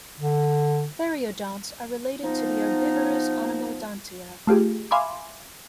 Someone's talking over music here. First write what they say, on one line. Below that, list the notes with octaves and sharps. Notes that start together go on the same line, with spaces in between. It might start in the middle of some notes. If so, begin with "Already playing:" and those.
Theriodonts are related to the herbivorous Anomodontia.
D3
F3 B3 D#4
A3 F4 G4 G#4
E5 F5 G#5 B5 C6 D6